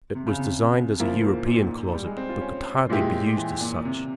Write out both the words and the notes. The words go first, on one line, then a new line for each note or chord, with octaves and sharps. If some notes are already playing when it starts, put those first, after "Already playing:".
It was designed as a European closet but could hardly be used as such.
C3
C#3
C3
C#3 F3 A#3 E4
G#2
A#2
G3
G#3
C4
F4
C#4
A#2 G#3 E4 G4
E3
A#2
C3